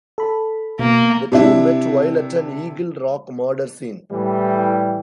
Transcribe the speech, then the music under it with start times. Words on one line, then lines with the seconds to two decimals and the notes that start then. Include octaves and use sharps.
The two met while at an Eagle Rock murder scene.
0.18 A4 B5
0.79 B2 A#3
1.32 C3 D4 E4
4.11 A2 E3 G3